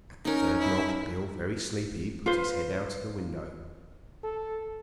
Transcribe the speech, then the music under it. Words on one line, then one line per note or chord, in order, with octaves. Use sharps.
At the third knock Beale, very sleepy, put his head out of the window.
C#4 D#4 A#4
E4
F4 B4 C5
A4